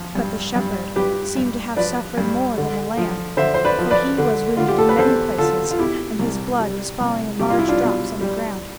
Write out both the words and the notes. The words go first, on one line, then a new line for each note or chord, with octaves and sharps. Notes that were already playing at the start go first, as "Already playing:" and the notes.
But the shepherd seemed to have suffered more than the lamb, for he was wounded in many places, and his blood was falling in large drops on the ground.
Already playing: F3
G2
G2
G2 G4 B4
G2
F3 B4 D5
G2
D3
F3
D3 C5 E5
C5
B4 D5
F3
B4 D5
D3
D3 F4
G4
A4
B4
E2 A4 C5
D3 F4 A4
F4
B2 E4 G4
C2
G3
C2
C2 G4
F4
E4
D4 F4
B2
G3